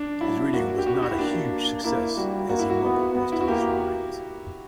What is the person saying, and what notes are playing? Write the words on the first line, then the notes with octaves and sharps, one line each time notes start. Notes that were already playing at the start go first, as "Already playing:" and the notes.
His reading was not a huge success as he mumbled most of his lines.
Already playing: D4
F#3 E4
A#3 F#4
G4
B3 F#4
G4
F#4
E4
A#3 D4
A#3 E4
G3 F#4
A#3 F#4
E4
F#4
B3
B3
E4
F#4
A#3 G4